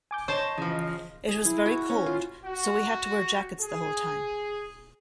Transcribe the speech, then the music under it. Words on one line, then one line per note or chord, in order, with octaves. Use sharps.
It was very cold so we had to wear jackets the whole time.
G#5 D6 G6
C5 C#5 D#5 A5
C#3 E3 F3
G#4
E4
F#4
C#4
F4
F#4
G#4